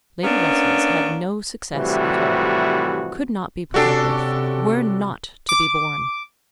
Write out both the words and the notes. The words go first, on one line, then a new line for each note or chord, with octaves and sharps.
Lady Russell's had no success at all: could not be put up with, were not to be borne.
A#3 B3 C#4 D4
A2 C3 E3 F3 G3 F#4
C3 C#4 D4 F#4 G4 A4
D6